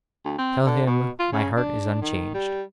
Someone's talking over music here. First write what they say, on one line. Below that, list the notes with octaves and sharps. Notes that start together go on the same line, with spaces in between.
Tell him, my heart is unchanged.
D2
C4
D3
B2
F4
C#3
D4
D#3
G3